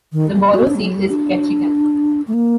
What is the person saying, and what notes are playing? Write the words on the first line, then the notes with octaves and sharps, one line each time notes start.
The borough seat is Ketchikan.
D#3
F#3
G3
F#4
D4
G3
F#3
G3
D4
A3
A#3